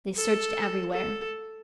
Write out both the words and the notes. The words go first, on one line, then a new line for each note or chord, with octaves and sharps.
They searched everywhere.
A4
A4